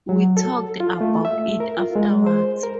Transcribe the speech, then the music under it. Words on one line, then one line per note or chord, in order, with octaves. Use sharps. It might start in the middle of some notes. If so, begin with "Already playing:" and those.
We talked about it afterwards.
F#3
A4
F4
A3
E5
A#4
F4
G#3
C5
A#4